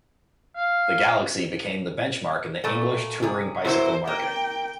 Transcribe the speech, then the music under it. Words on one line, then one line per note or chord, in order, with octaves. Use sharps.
The Galaxy became the benchmark in the English touring bicycle market.
F5
A#2 A3
C3 G#4
F#3 A#3 E4 C5
A#3 G5